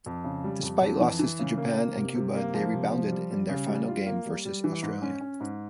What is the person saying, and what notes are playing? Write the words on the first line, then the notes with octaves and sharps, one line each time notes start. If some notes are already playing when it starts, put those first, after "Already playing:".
Despite losses to Japan and Cuba, they rebounded in their final game versus Australia.
F2
C#3
G3
F2
F2
E3
E3
C#3
A#3
A#3
C3
C3
A#3
F3
C3
F3
G3
G3
C#3
G3
F4
A#3
G3
G3
E3
G#2
C#4
C#4
G#2